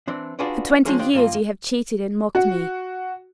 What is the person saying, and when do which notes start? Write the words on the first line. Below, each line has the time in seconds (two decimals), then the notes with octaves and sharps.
For twenty years you have cheated and mocked me.
0.08 E3 C4 D4
0.39 D4 F4 F#4 G#4 B4 D5
0.85 F3 G#3 C#4 G#4 A#4
0.99 D#3 D4 F4 G4 C5 D5
1.13 G2 D#3 A#3 F4
2.35 F#4